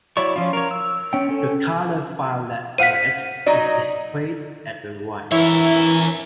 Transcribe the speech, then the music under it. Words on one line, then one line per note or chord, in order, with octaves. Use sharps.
The color violet-red is displayed at the right.
F#3 E4 C#5 D5 C#6
F3 C#4 F4
A#4 C#5
E6
C#4 G5
C#4 A4
C5 F5 F#5 B6 D#7
F#3 D#4 D5
E3 E4 A#4 C#5 E5